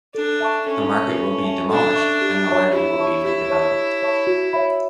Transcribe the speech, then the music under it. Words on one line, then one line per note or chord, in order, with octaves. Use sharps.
The market will be demolished and the land will be redeveloped.
D4 A4
E5 A5 C#6
C#4 A4
E5 A5 C#6
A4
E5 A5 C#6
D4 A4
E5 A5 C#6
G4
C#5 E5 A5 C#6
E4 G4
C#5 E5 A5 C#6
E4 G4
C#5 E5 A5 C#6
G4
C#5 E5 A5 C#6
F#4
C#5 E5 B5